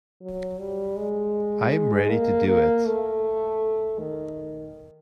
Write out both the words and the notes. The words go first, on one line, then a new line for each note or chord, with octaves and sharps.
I am ready to do it.
F#3
G3
G#3
A#3
A#3
A3
D#3